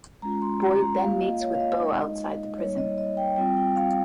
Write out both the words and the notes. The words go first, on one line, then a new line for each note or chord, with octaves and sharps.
Boyd then meets with Bo outside the prison.
G#3 C#4 F4 A#5
C6
A#5
A#5
A#3 F4 F5
D#5
C#5
F5
D#5
G#3 D#4
G3 A#3 D#4 C#5
D#5
D#5
G5
G3 C4 F4 G5
G5
F5